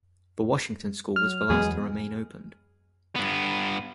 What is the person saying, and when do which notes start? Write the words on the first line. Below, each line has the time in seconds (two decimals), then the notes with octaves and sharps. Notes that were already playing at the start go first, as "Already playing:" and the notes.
The Washington School was the last to remain opened.
1.16 F#3 F6
1.50 E2 F#3 G#3 B3 G#4
3.16 G2 B3